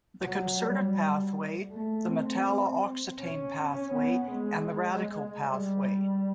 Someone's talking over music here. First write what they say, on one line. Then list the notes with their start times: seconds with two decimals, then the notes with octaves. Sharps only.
The concerted pathway, the metalla oxetane pathway and the radical pathway.
0.23 F#3
0.60 G3
1.71 A3
2.08 C4
3.20 C#4
3.93 B3
4.31 G#3
5.42 G3